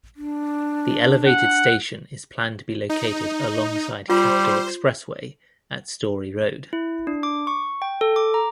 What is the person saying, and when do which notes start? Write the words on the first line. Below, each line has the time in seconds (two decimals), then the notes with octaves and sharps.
The elevated station is planned to be located alongside Capitol Expressway at Story Road.
0.16 D4
1.26 F#5
2.90 D#4
4.10 G3 F4 C5
6.73 E4
7.07 D4
7.23 D6
7.47 C#6
7.82 G5
8.01 A4
8.16 D6
8.34 A#5